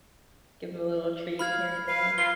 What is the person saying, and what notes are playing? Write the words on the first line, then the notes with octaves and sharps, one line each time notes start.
Give him a little treat here and there.
F5 B5 F6 G#6
B4 F5 C7
F4 B4 G7